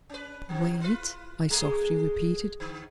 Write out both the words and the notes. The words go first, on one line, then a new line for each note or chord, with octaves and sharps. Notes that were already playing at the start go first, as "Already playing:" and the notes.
"Wait?" I softly repeated.
C#4 B4
F2 C3
E4 F4 B4
G#3 A3 G#4
D3